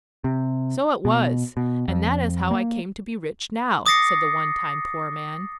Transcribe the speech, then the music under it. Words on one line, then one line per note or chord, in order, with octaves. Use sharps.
"So it was, and that is how I came to be rich now," said the one-time poor man.
C3
B2
B2
F2
A#3
D6 D#6 A6 A#6 C7 C#7